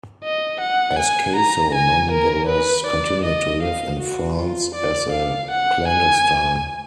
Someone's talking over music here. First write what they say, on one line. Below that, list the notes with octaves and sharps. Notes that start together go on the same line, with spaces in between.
Ascaso nonetheless continued to live in France as a clandestine.
D#5
F#5
G#5
A#5
G#5
A#4
B4
D5
D#5
F5
F#4
F4
D5
F5
F#5
G#5